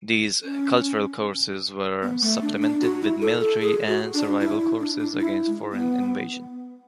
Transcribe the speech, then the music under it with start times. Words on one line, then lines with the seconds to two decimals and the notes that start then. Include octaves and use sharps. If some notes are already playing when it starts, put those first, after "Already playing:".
These cultural courses were supplemented with military and survival courses against foreign invasion.
0.44 C#4
2.02 B3
2.22 A3
2.42 D4
2.62 D4
2.81 F#4
3.02 E4
3.22 A4
3.40 A4
3.61 G#4
3.88 F#4
4.14 D4
4.41 E4
4.60 E4
4.80 D4
4.99 D4
5.20 E4
5.47 G#3
5.72 B3